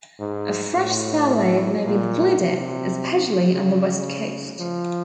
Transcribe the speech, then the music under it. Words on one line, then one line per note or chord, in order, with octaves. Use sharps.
A fresh salad may be included, especially on the West Coast.
G#2
A2
A#2
C3
C#3
F3